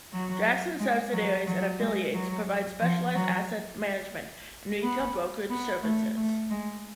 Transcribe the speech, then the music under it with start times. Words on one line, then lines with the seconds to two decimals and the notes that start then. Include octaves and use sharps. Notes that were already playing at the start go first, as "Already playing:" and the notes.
Jackson subsidiaries and affiliates provide specialized asset management and retail brokerage services.
0.12 F#3
0.79 G#3
1.12 F#3
1.47 F#3
1.80 G#3
2.13 F#3
2.80 F3
3.15 F#3
4.82 B3
5.50 B3
5.82 A3
6.16 A3
6.50 G#3